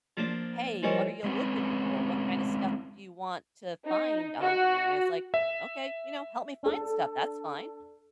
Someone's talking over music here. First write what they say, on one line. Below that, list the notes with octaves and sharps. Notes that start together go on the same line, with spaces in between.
"Hey, what are ya looking for? What kinda stuff do you want to find on here?" And it's like, "Okay, you know, help me find stuff," that's fine.
F3 A#3 D4
E3 F3 G3 D#4 A#4 C#5
G#3 C4 C#4 B4
D#4
F#4
E5
D4 A4